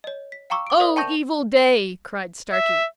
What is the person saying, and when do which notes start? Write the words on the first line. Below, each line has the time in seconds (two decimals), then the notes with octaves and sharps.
"O evil day!" cried Starkey.
0.04 C#5 D#5
0.32 B6
0.50 F5 G5 A#5 C#6 D6 E6
0.67 D6 D7
0.80 A#4 C5 D5 E5 F5 D#6
0.96 G5 A5 C#6 G6 A#6
2.53 E5